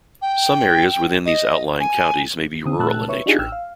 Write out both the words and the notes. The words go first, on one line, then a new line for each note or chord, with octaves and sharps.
Some areas within these outlying counties may be rural in nature.
G5
D#5
G#5
D3 C4 D#6
A#2 A3 A5 E6 F#6
B4 C#5 E5 C#6
D4 D#4 F4 G4 G#4
A1 G5 E6 F6
F5